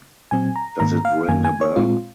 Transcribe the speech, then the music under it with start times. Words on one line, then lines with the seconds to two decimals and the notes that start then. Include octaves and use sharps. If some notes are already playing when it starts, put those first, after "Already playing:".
Does it ring a bell?
0.31 A#2 F#3 C4 G#5
0.56 A#5
0.80 G#2 D#3 A#3 A#5
1.05 F5
1.28 F#2 D#3 A#3 G#5
1.45 G#5
1.61 C#5
1.76 A#2 G#3 C4 F4